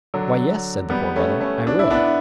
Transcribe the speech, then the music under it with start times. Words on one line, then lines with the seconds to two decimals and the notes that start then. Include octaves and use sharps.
"Why, yes," said the Poor Brother, "I will."
0.14 D3 F#3
0.90 G3 B3
1.16 A3 C#4
1.41 A3 C#4
1.67 D4
1.79 E4
1.91 B3 D4